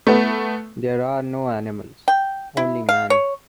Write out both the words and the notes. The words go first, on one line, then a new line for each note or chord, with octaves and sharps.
There are no animals, only man.
A3 B3
G5
E4
F5
C#5